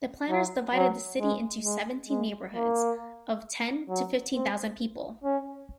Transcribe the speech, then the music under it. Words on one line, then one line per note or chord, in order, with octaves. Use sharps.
The planners divided the city into seventeen neighborhoods of ten to fifteen thousand people.
F#3
F#3
G#3
G#3
G#3
A#3
F#3
C4
C#4